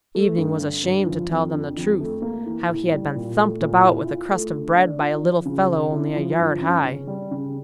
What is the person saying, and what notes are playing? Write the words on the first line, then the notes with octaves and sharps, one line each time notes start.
Evening was ashamed to tell them the truth--how he had been thumped about with a crust of bread by a little fellow only a yard high.
A3
G2
D3
G2
F3
F2
D3
F2
A3
A#3
E3
A2
G3
A#2
A3
A#2
E4
F4
A3
D3
D4
F4
F3
C#3
C#4
E4
F3
G2
C#4
C#3
G3
C#3